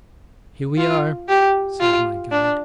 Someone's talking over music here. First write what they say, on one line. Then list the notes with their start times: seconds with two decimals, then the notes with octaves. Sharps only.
"Here we are," said my guide.
0.78 F4
1.29 G4
1.80 F4
2.31 D4